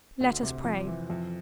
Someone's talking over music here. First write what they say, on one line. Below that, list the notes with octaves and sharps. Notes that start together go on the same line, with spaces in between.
"Let us pray."
D2
C3
F2
E3
F2